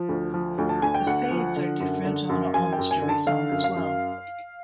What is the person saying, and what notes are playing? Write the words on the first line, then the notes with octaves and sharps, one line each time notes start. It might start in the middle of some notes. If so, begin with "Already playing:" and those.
The fades are different on almost every song as well.
Already playing: F3
D2
F3
D2
A5
D2 G#5
G5
D2 F#5
F3
D3
F#2
D3
F#2
F#2 G#5
G5
F#2
G#5
D3
A5
D3 F5
F#2
F5
F#2